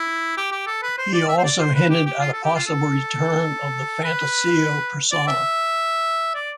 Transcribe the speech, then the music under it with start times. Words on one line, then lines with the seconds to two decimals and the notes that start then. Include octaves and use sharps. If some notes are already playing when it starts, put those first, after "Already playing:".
He also hinted at a possible return of the Phantasio persona.
Already playing: E4
0.37 G4
0.52 G4
0.67 A4
0.83 B4
0.98 C5
1.14 D5
1.29 E5
1.38 C5
1.44 D5
1.60 C5
1.75 B4
1.90 G4
2.06 G4
2.20 F4
2.33 A4
2.44 G4
2.55 F4
2.67 A4
4.04 B4
5.12 D5
5.28 E5
6.35 D5